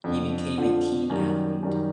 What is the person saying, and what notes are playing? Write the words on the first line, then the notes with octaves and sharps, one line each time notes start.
He became a keen athlete.
F2 D3 F3
F2 D3 F3
F#2 D#3 G3
F#2 D#3 G3